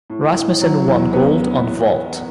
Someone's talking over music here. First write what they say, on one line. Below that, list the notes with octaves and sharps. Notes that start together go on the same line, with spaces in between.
Rasmussen won gold on vault.
A2
A2
F#3
E2
B3